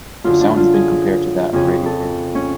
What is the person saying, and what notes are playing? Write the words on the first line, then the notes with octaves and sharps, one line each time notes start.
Their sound has been compared to that of Radiohead.
F#2 D3 F4
D4
F4
G#4
F2 C#3 G#4
A4
C#4